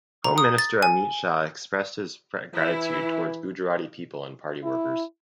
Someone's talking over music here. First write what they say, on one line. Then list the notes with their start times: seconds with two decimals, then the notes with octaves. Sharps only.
Home Minister Amit Shah expressed his gratitude towards Gujarati people and party workers.
0.24 A#5
0.38 D#6
0.58 A6
0.82 G#5
2.54 E3 E4
4.63 E4